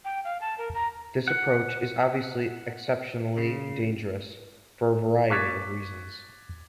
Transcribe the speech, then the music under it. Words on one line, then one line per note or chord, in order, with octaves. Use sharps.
This approach is obviously exceptionally dangerous for a variety of reasons.
G5
F5
A5
A#4
A#5
F#5
C#3
C#6 D6 F#6 G#6 A6 B6